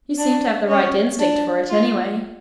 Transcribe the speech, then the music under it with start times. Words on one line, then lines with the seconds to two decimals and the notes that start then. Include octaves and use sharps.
"You seem to have the right instinct for it, anyway."
0.18 D4
0.68 C#4
1.19 D4
1.69 F4